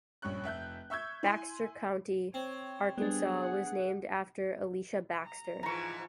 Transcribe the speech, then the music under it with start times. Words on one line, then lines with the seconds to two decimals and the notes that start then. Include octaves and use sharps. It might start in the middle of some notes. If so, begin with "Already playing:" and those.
Baxter County, Arkansas was named after Elisha Baxter.
0.22 A#1 G2 C#4 C#6 F#6
0.44 F1 E5 F#6 G6
0.90 E5 C#6 E6 G6 G#6
1.23 E4 G#5 C6
2.34 C4 C#5
2.98 G3 B3 D4 G#4
3.42 F#5
5.25 A#5
5.63 G#2 E3 F3 A#5 C#6